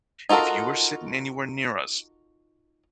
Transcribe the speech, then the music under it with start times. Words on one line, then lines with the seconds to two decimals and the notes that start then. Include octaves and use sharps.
if you were sitting anywhere near us
0.29 D#4 F4 F#4 A4 A#4